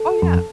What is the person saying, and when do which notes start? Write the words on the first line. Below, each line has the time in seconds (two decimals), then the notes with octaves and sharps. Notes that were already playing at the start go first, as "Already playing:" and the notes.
Oh, yeah.
Already playing: A4
0.22 F2